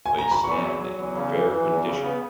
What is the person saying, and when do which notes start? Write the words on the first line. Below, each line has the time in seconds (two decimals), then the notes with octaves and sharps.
They stand in fair condition.
0.06 G#5
0.18 A#5
0.31 B5
0.44 E2 C#6
0.62 F#3
0.79 F#3
0.97 E2
1.15 C#3
1.33 E3
1.51 E3
1.69 E2
1.86 C#3
2.04 B3